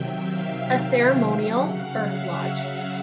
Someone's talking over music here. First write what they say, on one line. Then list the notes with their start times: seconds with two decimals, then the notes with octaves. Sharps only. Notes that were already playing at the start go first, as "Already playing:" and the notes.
A ceremonial earth lodge.
Already playing: C3 D#3 F#3 E5 G5
0.18 F5
0.49 G5
0.95 G5
1.42 C#3 F#3 F#5
1.72 F5
2.04 E5
2.34 F5